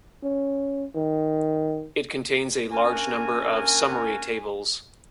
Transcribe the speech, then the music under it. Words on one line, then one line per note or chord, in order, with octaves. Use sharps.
It contains a large number of summary tables.
C#4
D#3
A#3 C#4 D4 F#4 A#4 G#5